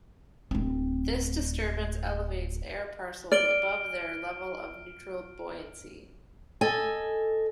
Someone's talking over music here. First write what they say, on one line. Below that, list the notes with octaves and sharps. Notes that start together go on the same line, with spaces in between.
This disturbance elevates air parcels above their level of neutral buoyancy.
D1 C4
D5 F6 D7 G7
A4 D#5 G#5